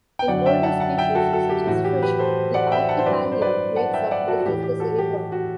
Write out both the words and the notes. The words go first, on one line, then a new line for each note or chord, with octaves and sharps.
In older species, such as fish, the archipallium makes up most of the cerebrum.
G5
F#2 D3 F#3 D5 F#5
E5 G5
F#5 A5
F#5 A5
E5 G5
F#4 A4
F#4 A4
G4
A2 E3 F#4
G4
G4 B4
A4 C5
D5 F#5
E5 G5
F#5 A5
C5
G2 F#3 B4 D5
C5
B4 D5
F#5 A5
E5 G5
D5 F#5
F#4 A4
F#4
A2 E3 G4
G4
F#4 A4
G4
G4
F#4